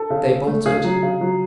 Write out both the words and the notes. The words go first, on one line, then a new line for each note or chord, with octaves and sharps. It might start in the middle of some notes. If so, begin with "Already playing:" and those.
They bolted.
Already playing: A4
C#3
C#3
A3
C#3 G#4
F#3
C#3
F#3